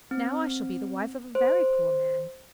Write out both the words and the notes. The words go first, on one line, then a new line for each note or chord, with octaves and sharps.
Now I shall be the wife of a very poor man.
C4
C5